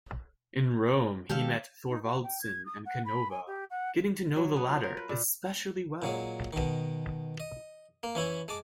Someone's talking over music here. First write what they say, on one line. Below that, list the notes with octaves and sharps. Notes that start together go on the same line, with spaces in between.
In Rome he met Thorvaldsen and Canova, getting to know the latter especially well.
D#3 G#3 G4 A4 F5
D#4
F#4
G5
G#6
D#6
F#5
B5
G#5
G4
F#5
F#3
B3
F4
A#4
B4
A#2
A#2 F#3 G#3
B2 D#3
D#5
A#3
E3 C#4 E4
G#3 A5 D6